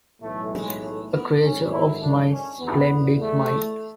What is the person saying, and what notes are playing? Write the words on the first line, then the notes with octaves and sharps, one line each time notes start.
A creature of my splendid mind.
B1 A2 E3 A3
G#3
A3
B3
G#1 F#2 D3 C#4
E4
D4
C#4
E2 D3 B3
A3